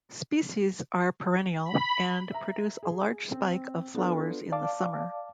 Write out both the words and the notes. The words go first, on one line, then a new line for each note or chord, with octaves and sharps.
Species are perennial, and produce a large spike of flowers in the summer.
B5
E5 A#5
G#4
C4
B3 D4 F4 A4
D5 F5 A5 D6